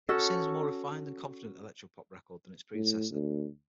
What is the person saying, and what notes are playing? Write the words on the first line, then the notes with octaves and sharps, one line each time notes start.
It was seen as a more refined and confident electropop record than its predecessor.
C#4 F#4 A4
A2
D2